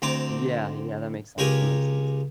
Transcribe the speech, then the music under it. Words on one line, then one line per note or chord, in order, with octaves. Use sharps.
Yeah, yeah, that makes sense, that makes sense.
D2 C4 A#5 C6 D6
C#2 G4 G#4 A#4 C#5